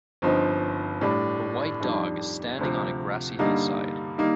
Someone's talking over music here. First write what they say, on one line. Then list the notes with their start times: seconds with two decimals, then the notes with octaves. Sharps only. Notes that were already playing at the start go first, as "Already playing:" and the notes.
A white dog is standing on a grassy hillside.
0.22 G1 G2 F3 C4 D#4
1.01 A2 G3 D4
1.80 F2 D#3 G3 D4
2.59 D2 C3 F3
3.39 G2 D3 G3 A#3 D#4
4.18 D#3 G3 A#3 D#4